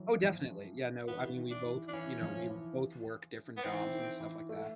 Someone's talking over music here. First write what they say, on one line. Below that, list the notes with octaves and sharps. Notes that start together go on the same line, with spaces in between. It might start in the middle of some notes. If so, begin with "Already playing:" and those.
Oh, definitely. Yeah. No. I mean, we both, you know, we both work different jobs and stuff like that,
Already playing: E3 F#3
F3
E3 B3
D#3
D4
E3
D4
E3 C#4
F3
E3
B3
E3 C4
D#3
E3
D#3
E3
A3